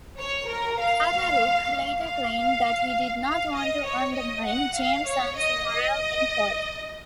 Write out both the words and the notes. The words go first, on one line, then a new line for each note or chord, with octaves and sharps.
Carter-Ruck later claimed that he did not want to undermine Jameson's morale in court.
C#5
A#4
F5
F5
F5
D#5
C#5
D#5
F#5
F5
C#5
D#5
D#5